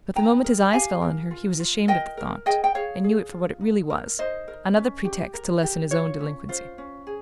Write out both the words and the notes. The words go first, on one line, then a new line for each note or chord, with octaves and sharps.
But the moment his eyes fell on her he was ashamed of the thought, and knew it for what it really was: another pretext to lessen his own delinquency.
D#4 G5 A#5
A#4
G4 F5 G#5
A#4
F4
F4
A#4 D#5 G5
A#4
G#4 D#5 G5
G5
G#4 C#5 F5
G#4
F4
D#4
A#4
D#4 C5 D#5
A#4
C#4
G4
A#4
G4
F4 C#5
C#4
F4 C5
C#4
G#4